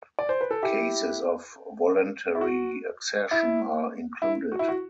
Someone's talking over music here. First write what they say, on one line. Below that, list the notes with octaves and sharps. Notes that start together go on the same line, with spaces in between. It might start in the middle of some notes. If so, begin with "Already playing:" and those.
Cases of voluntary accession are included.
D5
C5
B4
A4
E4 G4
E4
F#4
E4
E4
F#4
E4
F#4